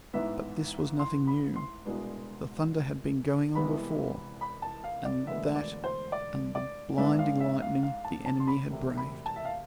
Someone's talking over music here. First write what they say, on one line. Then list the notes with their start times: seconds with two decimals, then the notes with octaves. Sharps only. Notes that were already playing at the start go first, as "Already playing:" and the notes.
But this was nothing new: the thunder had been going on before, and that and the blinding lightning the enemy had braved.
0.13 A1 G#2 E3 B3 E5
0.99 C6
1.27 B5
1.56 C6
1.85 C2 B2 G#3 B3 D4
3.55 C2 C3 E3 G#3 B3 B5
4.41 B5
4.62 A5
4.84 F5
5.05 D5
5.27 E1 D2 D3 G#3 B3 E5
5.55 D5
5.84 C5
6.12 D5
6.55 D5
6.98 G#2 G#3 B3 D4 E5
7.19 F5
7.40 E5
7.62 F5
7.83 F5
8.05 A5
8.26 A5
8.40 C6
8.47 B5
8.69 E1 D2 C3
8.97 B5
9.26 A5
9.36 E5
9.45 F5